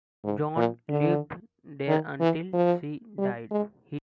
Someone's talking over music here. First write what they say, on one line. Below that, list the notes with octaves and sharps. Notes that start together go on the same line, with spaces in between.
John lived there until he died.
G#2
A#2
D3
D#3
E3
F3
G3
G#3